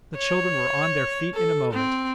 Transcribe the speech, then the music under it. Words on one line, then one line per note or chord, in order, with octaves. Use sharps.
The children were on their feet in a moment.
C#5
A4
C4